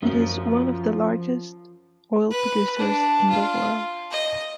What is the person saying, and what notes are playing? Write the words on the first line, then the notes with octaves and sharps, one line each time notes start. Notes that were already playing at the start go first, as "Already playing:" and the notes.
It is one of the larges oil producers in the world.
F#2 F3
B4
D4
F4
D#5